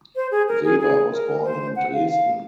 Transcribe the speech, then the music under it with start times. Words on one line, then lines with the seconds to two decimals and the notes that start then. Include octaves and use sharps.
Weber was born in Dresden.
0.16 C5
0.31 G#4
0.48 A#4
0.64 G#4
0.80 G#4
1.12 A#4
1.45 C5
1.76 F#5
1.93 F5
2.08 F5